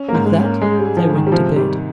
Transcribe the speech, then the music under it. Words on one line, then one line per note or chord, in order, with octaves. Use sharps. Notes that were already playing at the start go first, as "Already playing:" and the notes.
With that they went to bed.
Already playing: C#4
A#3
G#2
G#3
C#4
A#3
G#3 G#4
G3
G#4
F3
G#2
D#3
G3
C3 F3
D#3 G3